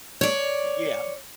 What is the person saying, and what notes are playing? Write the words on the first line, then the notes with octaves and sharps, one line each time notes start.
Y yeah.
C#5 D5